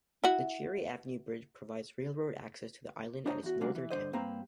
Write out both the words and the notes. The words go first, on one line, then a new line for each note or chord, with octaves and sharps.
The Cherry Avenue Bridge provides railroad access to the island at its northern tip.
E4 F#4
D4 E4 C5 C#5 D#5 A#5
E2 F#4
B1 G#3 A#3 D4 F#4
E3
G2 D3 C5 D#5
G2 A#3 C4 B4 C5 A#5